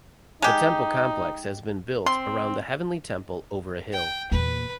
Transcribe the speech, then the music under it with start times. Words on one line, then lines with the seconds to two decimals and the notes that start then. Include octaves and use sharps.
The temple complex has been built around the heavenly temple over a hill.
0.42 G#3 D#4 G4
2.06 C4 C6
3.92 G5
4.32 E2 A#2 B4